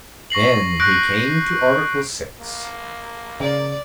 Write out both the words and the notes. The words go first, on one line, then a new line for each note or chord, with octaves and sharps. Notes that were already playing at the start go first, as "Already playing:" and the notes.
Then he came to Article Six.
C#6 A#6 C7 F#7
C#6 F#6 G6 A#6 C7 D7
A#3
C#3 D5